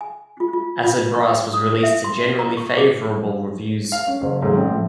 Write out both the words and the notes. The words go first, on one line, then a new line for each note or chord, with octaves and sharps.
"Acid Brass" was released to generally favourable reviews.
G#5
F4
F4
F4
C#6
D#6
E5
C6
A#5
C#6
G#4
F5
C#4
F#1 C5
D#2 G#2 F#3 A3
A1 C4
A2 F3